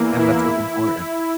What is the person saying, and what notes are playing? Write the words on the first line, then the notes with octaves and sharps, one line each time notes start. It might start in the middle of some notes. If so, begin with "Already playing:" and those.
And that's what's important.
Already playing: E2 E3 A#3
E4